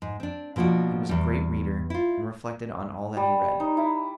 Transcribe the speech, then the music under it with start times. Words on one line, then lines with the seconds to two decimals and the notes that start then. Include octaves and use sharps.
He was a great reader, and reflected on all that he read.
0.02 G#2
0.20 C4 D4
0.56 B2 F3 A#3 D4 F#4
1.09 E2 G3
1.90 E4 F4
3.17 G3
3.60 D#4
3.77 E4